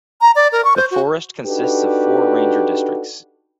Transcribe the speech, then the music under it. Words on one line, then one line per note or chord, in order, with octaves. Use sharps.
The forest consists of four ranger districts.
A#5
D5
A#4
C#6
C5
F#4
D4 D#4 F#4 G4 A4 B4